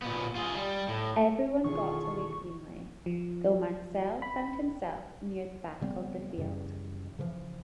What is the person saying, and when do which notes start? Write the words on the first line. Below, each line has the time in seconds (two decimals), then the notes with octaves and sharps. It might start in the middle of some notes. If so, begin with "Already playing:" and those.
Everyone got away cleanly, though Mansell found himself near the back of the field.
0.02 A#2 B3
0.35 F4 G#4
0.55 G3
0.88 A2
1.64 B2 D#3 E3 F4 G#4 A4 C#6
3.06 F3
4.22 B5
5.81 C#3 G3 B3 C4
6.38 F#2 C#3 E3 G3
7.19 C#3 E3 F3